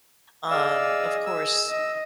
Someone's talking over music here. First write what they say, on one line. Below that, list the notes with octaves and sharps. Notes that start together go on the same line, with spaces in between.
um, of course,
G#4 D5 D#5 F5 E6
E6
D#5